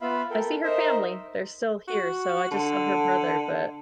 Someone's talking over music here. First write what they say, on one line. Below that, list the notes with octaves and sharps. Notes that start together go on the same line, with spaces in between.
I see her family, they're still here, so, I just saw her brother but
B3 F4 E5 F5 B5
A4 A#4 G5
D#4 A#4 C5 D#5 E5
F#4
D3